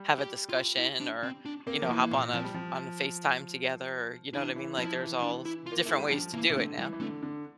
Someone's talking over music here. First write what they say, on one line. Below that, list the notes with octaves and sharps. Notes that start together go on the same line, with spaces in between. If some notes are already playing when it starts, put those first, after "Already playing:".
have a discussion, or, you know, hop on a f on a FaceTime together, or you know what I mean? Like, there's all different ways to do it now.
Already playing: G3
G4
F4
E4
D4
C4
D4
A#3 C4
F3
E3 A#3
A#3
A#2 C4
F3 C4
G3
F3
E3 D4
E3
F3 E4
E3
D4
E4
F4
A#3
A3 E4
G3
F3 D4
E3 A#3
C3
D3 A3
E3 G3
E3
D3 A3
D3